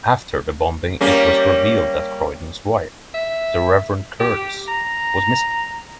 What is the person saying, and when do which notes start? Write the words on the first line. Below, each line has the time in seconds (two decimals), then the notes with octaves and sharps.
After the bombing it was revealed that Croydon's wife, the Reverend Curtis, was missing.
1.01 G3 A#3 C#4
3.14 E5
4.20 G4
4.68 A#5